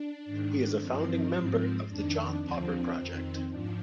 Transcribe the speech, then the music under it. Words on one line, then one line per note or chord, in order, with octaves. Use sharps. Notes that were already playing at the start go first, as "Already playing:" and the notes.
He is a founding member of The John Popper Project.
Already playing: D4
G#2 D#3
G2 F3 C4
G#2 F3
F2 D#3 D4
D#2 D3 F3 C4
F2 D#3
G#2 F3 D4